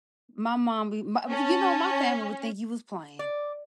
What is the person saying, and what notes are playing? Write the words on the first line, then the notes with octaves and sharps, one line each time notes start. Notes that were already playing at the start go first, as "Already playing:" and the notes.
my mom be ma b you know, my family would think you was playing.
C#4 A5
D5